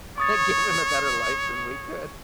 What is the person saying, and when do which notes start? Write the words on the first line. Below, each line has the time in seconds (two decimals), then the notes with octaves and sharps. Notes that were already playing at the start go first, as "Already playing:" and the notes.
give him a better life than we could.
0.18 C#5 C#6 D#6 A6